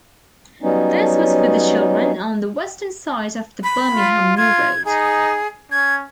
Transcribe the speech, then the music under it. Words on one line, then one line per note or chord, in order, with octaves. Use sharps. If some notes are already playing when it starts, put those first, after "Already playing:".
This was for the children on the western side of the Birmingham New Road.
F#3 G3 B3 C#4 D#4
B5
F4
F4 G#6
D#4 G#4
C#4 G#6